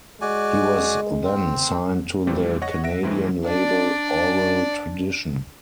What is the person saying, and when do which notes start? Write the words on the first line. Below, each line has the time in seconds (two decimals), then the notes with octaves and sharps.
He was then signed to the Canadian label Aural Tradition.
0.21 G#3 F#4 D5 G#5
1.24 C4
2.27 A#2 E3 G3 A3 C4
2.62 C#5 D#5 F#5 C#6 A#6
2.84 E5 F#5 A#6 D7
3.03 F2 G#2 E3 G#3 A3 C4
3.45 D4 D5